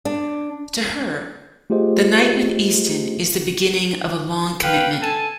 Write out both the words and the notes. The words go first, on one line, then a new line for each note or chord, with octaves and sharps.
To her, the night with Easton is the beginning of a long commitment.
D4
A3 F4 G4 G#4 C5 D#5
B4 F5 G5
A4 G#5 A5